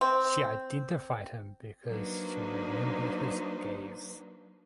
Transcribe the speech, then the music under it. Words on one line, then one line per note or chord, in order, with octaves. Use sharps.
She identified him because she remembered his gaze.
C4
F#3 A#3 D4 D#4 B4 C5